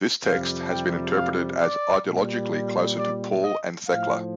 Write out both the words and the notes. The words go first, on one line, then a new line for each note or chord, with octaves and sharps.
This text has been interpreted as ideologically closer to "Paul and Thecla".
F2 C3 G3 F5
G5
F5
D5
A#2 G3
D5
D#5
A2 F3 F5